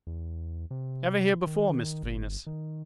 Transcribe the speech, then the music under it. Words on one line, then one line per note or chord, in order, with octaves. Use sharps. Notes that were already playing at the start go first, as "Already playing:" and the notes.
Ever here before, Mr Venus?'
E2
C3
D#3
G1
D#3